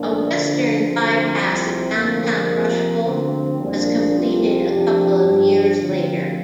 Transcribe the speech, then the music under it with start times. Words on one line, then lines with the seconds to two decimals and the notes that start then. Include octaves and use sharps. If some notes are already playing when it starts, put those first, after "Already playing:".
A western by-pass of downtown Rushville was completed a couple of years later.
Already playing: C2 A#2 F3 A#3 D4
0.27 D2 D3 F3
0.82 D2 D3 F3 C4
1.38 C2 C3 F3
1.93 F2 D3 F3 A#3
2.48 F2 C3 F3
3.03 D2 D3 F3 C4
3.58 C2 A#2 F3 A#3 D4
4.13 C2 C3 F3 C4 F4
4.69 F2 C3 F3 D4 G4
5.24 G2 F3
5.79 D2 D3 F3 C4 F4